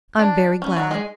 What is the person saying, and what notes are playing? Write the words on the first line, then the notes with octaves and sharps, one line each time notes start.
"I'm very glad."
D4
C#4
F#3 F#4
G#3 G#4